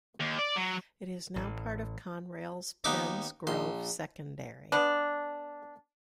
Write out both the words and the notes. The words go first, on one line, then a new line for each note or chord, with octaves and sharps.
It is now part of Conrail's Penns Grove Secondary.
D#2
D5
F#3
A1
D#2 B3 D#4 D6
A#1 C6
B3 D4